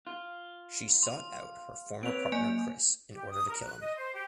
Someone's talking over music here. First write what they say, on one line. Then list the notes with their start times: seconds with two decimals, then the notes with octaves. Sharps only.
She sought out her former partner Chris in order to kill him.
0.07 F4
1.03 C6
2.03 C4 B4 C#5 D7 F7
2.32 F#2 A#3 D5 G#5
3.12 G4
3.30 D#6
3.47 A#4
3.62 F#6
3.81 D#5
3.96 C5
4.13 G4